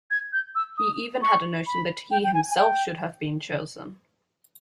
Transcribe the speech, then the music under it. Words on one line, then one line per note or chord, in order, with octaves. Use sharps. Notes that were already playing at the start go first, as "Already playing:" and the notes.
He even had a notion that he himself should have been chosen.
G#6
G6
E6
D#6
C#6
B5
G5
G5
G#5
G#5
G5